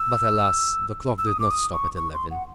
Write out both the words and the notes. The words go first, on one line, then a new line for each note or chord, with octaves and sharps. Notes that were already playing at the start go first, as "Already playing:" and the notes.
But alas! the clock did not stop at eleven.
Already playing: E6
E6
D#6
D6
D#6
C#6
C#6
C6
F#5